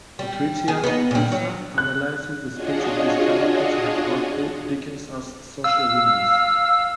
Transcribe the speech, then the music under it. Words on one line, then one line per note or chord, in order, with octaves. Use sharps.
Patricia Poussa analyses the speech of these characters in her article "Dickens as Sociolinguist".
G3
G#4
B3 D#4
A#2 G3
F#3
F#6
D4 F4 F#4 G#4 C#5 D#5
F5 E6